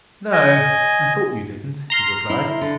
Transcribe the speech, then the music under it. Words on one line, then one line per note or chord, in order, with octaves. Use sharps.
"No, I thought you didn't," he replied.
D#5 G#5
A#5 C6 F6
E4
D3